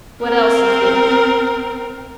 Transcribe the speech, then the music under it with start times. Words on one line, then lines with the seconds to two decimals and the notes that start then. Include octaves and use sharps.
"What else is there?"
0.23 C4 A#4